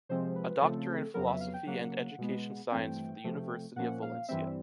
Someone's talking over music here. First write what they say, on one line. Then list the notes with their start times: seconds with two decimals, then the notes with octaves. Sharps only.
A Doctor in Philosophy and Education Science for the University of Valencia.
0.09 C3 F3 G#3 C4 C5
0.36 B4
0.61 C#3 F3 A3 C4 A4
1.14 F2 C#3 F#3 B3 A#4
1.27 E5
1.41 F5
1.54 G5
1.66 C#3 F#3 A#3 F#5
2.18 B2 G#3 B3
2.71 G2 E3 A3 C4 G5
3.24 C3 F3 A3
3.76 A#2 F3 A#3 C#4 F#5
4.02 F5
4.28 G2 E3 G3 C4 E5